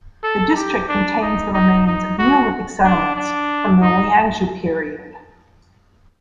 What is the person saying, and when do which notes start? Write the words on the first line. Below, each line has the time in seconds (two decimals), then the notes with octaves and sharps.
The district contains the remains of Neolithic settlements from the Liangzhu period.
0.23 A4
0.56 G4
0.89 D4
1.22 D#4
1.54 D#4
1.87 D#4
2.19 F#4
2.84 D4
3.16 D4
3.81 D#4